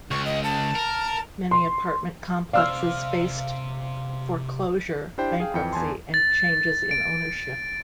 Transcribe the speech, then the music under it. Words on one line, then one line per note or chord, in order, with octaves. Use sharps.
Many apartment complexes faced foreclosure, bankruptcy, and changes in ownership.
C#2 C#6
D#5
A5
A#4
C6
C3 C5 D5 F5 E6 F6
D4 E4 G4 C5 G5
G#4 F5 G5
F2 E3 G5 C#7
E2 G#5 A5 C6
A6
D7